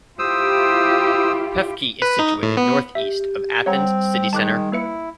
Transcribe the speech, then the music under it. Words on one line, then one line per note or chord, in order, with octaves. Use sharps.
Pefki is situated northeast of Athens city centre.
E4 F4 G4 C5 D#6 E6
B4
D#4
A2
B3
G4 E5
G3 C4 C#5 F#5 A#5
D#3 G#3 A5 D6 F#6
A#3 E4 B4 C#7